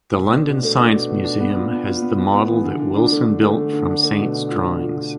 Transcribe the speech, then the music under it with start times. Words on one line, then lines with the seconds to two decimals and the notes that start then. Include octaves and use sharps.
The London Science Museum has the model that Wilson built from Saint's drawings.
0.16 B2
0.31 D4
0.47 B2
0.63 A3
0.78 D4
0.94 B2
1.09 B2
1.24 D4
1.40 B3
1.56 F4
1.71 B3
1.87 F4
2.02 B3
2.18 B3
2.34 B3
2.49 E3
2.64 D3
2.79 D3
2.95 D4
3.10 A3
3.26 D3
3.42 A3
3.57 D3
3.73 D3
3.88 D4
4.03 A3
4.19 B2
4.35 D4
4.50 F4
4.66 F4
4.81 F4
4.96 F4